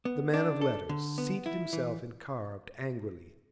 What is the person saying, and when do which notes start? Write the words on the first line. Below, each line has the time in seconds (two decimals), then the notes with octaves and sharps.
The man of letters seated himself and carved angrily.
0.05 B3
0.34 D4
0.61 A4
0.89 D3
1.18 B3
1.46 E4
1.73 E3